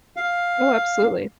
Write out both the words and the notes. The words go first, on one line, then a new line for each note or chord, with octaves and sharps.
Oh, absolutely.
F5